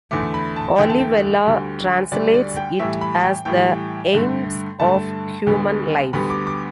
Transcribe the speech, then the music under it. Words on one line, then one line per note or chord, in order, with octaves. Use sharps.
Olivelle translates it as the "aims of human life".
E2 D3 A3 D6
B5
A5
E2 D3 A3 G5
A5
G5
D2 D3 G3
D2 D3 G3 D5
D5
G5
A2 E3 G3 E5
B5
G5
A2 E3 G3 G5
G2 D3 A3
G2 D3 A3 A5
D2 D3 G3 B3
D2 D3 G3 B3 B5
D6
D6